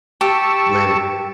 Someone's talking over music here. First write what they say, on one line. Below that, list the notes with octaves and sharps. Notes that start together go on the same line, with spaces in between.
let it
G4 A5 C#6 E6